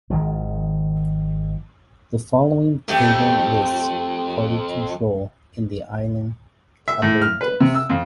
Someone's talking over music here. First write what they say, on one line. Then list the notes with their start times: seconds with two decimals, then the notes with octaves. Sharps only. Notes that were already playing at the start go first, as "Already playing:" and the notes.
The following table lists party control in the Island Cabildos.
0.10 G#1 D#3 F3
2.89 F2 A3 G4
6.88 E5
7.02 A2
7.22 F6
7.41 B4
7.60 C3
7.74 E6
7.89 F2